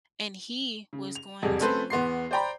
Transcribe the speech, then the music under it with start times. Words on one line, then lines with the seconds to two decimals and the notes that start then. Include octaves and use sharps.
and he was going to
0.93 C#3
1.15 F7
1.42 E1 F2 C3 G3 G#4
1.60 A3 C4 C#4 A4 B4 C5
1.90 E2 B3 C6 C7
2.31 C5 D5 G5 A#5 B5